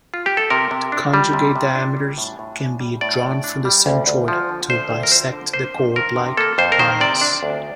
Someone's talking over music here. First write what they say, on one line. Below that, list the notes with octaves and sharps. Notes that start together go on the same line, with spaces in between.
A conjugate diameter can be drawn from the centroid to bisect the chord-like lines.
F4
G4
A4
C3 A#4
C3
D4
G3
C3
C3
D4
G3
A2
A2
D4
G3
A2 D5
A2
D4
G3
D2
D2
F3
D3
D2 C5
D2
A#4
F3 C5
D3
A#3 C5
F2
D#3 A#4
C3
A#3 A4
F2 C5
A#4
D#3 C5
C3 D5
D4
D2